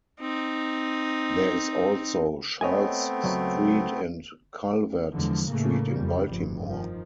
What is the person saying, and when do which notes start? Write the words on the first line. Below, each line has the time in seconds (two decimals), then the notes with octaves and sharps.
There is also Charles Street and Calvert Street in Baltimore.
0.20 C4 D#4
2.61 A3 B3 C4 C#5 D#5 G#5
3.24 C#2 F#3
5.13 E2 D3 F3 G#3
5.49 A2 C#3 A3 A#3
5.92 F2 G3
6.27 F1 G2
6.69 D#3 F3